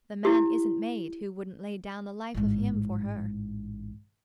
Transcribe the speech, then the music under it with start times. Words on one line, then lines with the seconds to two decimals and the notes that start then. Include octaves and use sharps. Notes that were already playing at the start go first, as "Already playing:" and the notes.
The man isn't made who wouldn't lay down the life of him for her.
0.25 E4 G4
2.34 A1 G#2